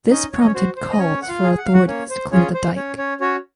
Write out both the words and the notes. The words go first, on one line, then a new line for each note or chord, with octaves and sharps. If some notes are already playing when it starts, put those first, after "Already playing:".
This prompted calls for authorities to clear the Dyke.
C#4 D#4 D#5
C#5
D#5
C#4 C#5
F#4 C5
C5
D#5
C#4 C#5
F#5
F4 F5
G#4
F#5
F5
F#4 F#5
A#3 C#4 C#5
C5
C#4 F4 G#4 C#5
C5
C#4 C#5
C#4 C#5
C#4 F#4 C#5